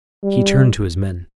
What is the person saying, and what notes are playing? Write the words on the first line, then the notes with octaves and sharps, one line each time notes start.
He turned to his men.
G3